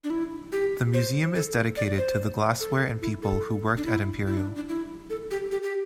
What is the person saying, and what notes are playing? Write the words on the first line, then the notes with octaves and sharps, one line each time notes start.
The museum is dedicated to the glassware and people who worked at Imperial.
D4
E4
G4
C5
A4
D5
C5
A4
E4
A4
D4
E4
E4
D4
D4
E4
A4
G4
G4
G4